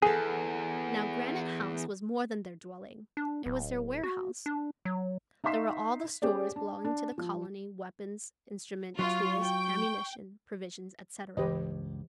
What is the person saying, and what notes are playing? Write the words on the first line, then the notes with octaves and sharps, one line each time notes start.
Now Granite House was more than their dwelling, it was their warehouse. There were all the stores belonging to the colony, weapons, instruments, tools, ammunition, provisions, etc.
E2 B3 G#4 A4
D4
D1
F#4
D4
F#3
D#4 E5 F5 C6 B6 E7
C#4 G4 G#4 C5 D5
D4
D4
F3
F#3 F4 C#6
G5
C#2 G2 E3 G4 B4 D#5